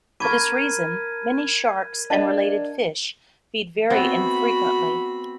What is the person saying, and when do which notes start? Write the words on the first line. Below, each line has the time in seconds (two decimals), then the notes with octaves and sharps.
For this reason, many sharks and related fish feed very infrequently.
0.20 A#4 A5 B5 C#6 D6 G#6 D#7
2.10 D4 D#5 F5 A5
3.90 A3 B3 C4 E4 F#4 B5